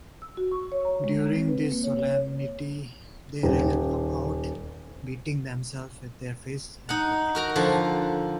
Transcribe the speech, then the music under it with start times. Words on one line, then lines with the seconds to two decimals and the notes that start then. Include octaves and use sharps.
During this solemnity they ran about, beating themselves with their fists and with rods.
0.22 E6
0.37 F#4
0.52 C#6
0.72 C#5
0.85 A#5
1.04 G#3
1.20 G#3
1.35 C4
1.48 B4
1.72 A#3
1.84 C#5
1.99 C#5
3.43 D#1
6.89 D#4 F#5
7.35 F#4 A#4 A#5
7.56 D3 F3